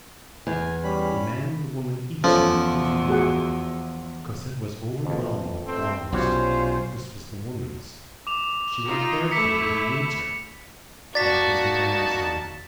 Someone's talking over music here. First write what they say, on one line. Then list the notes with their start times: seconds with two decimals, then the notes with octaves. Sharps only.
The man and the woman each had a different method: Cosette was overwhelmed with blows--this was the woman's; she went barefooted in winter--that was the man's doing.
0.47 E2 G#5
0.84 G3 C#4 B5
2.24 E2 F3 C#4 A4
3.08 F#4 G#4 F#5
5.06 A1 F2
5.67 A3 C4
6.12 B1 C3 G3 C#4 F4 F#4 C5 C#5
8.27 D6 F7
8.85 D#4 F4
9.31 A3 E4 D6 B6 C#7
11.15 A#3 D#4 F#4 D5 A5 A6 B6